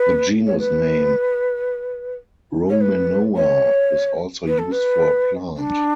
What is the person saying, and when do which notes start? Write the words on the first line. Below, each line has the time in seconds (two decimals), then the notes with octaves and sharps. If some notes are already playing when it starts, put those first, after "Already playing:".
The genus name "Romanoa" is also used for a plant.
Already playing: B4
0.46 C#5
0.58 B4
2.70 C#5
2.81 B4
3.36 C#5
4.47 B4
4.58 A4
4.72 B4
5.57 D4